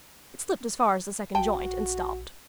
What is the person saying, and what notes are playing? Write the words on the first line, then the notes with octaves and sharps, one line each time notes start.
It slipped as far as the second joint and stopped.
A#1 F#4 G5 A5